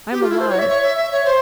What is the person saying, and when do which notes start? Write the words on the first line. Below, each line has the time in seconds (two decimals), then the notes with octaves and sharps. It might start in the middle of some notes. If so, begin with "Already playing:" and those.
I am alive.
0.12 G4
0.21 F4
0.31 E4
0.40 C5
0.50 C#5
0.59 E5
0.69 C#5
0.83 E5
0.97 E5
1.12 C#5
1.25 C5